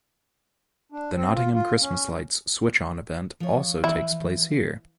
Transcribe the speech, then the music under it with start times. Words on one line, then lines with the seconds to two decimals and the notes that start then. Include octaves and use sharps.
The Nottingham Christmas Lights switch-on event also takes place here.
0.92 D4
1.15 C4
1.35 F4
1.55 F4
1.81 C#4
3.40 F3 C#5
3.84 E3 F3 E4